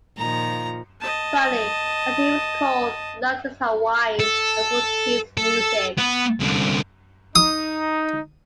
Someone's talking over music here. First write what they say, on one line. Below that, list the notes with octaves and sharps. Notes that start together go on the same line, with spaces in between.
Sonny, as he was called, loved his Hawaiian and Portuguese music.
A#2 D#3 F3 A#5
D#5 A5
A4
A4
B3
C2 D3
D#4 D#6